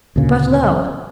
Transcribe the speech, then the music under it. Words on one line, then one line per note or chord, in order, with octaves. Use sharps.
But, lo!
D2 A#2 C#3